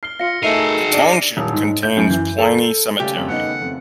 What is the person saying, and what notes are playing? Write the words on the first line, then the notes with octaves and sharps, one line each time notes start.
The township contains Pliny Cemetery.
F6 C7 G7
F4 F5 A#6 C#7
A3 D#4 G#4 A#4 E5 C7 C#7 D#7
D4 D7
D#1
G#2
G6
F#2
E3
A4
D#2 C#3 G3 A3 G4
F2 G3
B3 D#4 F#5
F2